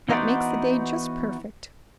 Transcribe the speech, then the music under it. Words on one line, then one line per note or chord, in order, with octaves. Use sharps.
"That makes the day just perfect."
E3 B3 D#4 F#4 C5 D5